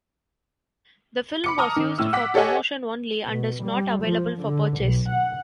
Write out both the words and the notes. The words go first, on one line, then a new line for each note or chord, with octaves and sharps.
The film was used for promotion only and is not available for purchase.
B5 D6 C#7
A5 A#5 D#6 F6
D#3
A2 E6 F6
F#5 D6 B6
G4 A4 C#5 D#5 F#5 G#5
B2
G3
F3
D3
B1
F#5